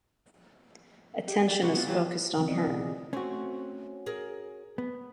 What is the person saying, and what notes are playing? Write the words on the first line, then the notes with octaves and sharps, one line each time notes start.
Attention is focused on her.
G4 G#4
G4 A#4 D5
C3 G3 C#4 F#4 F#5
B3 E4 F4
E3 F#3 E4 F4 G4 B4
C#3 E3 F#3 A3 C4
B3 E4 D5 D#5
B2 G4 G#4
F4 G#4
A3 C4 C#4 F#4
G#4 A#4
B3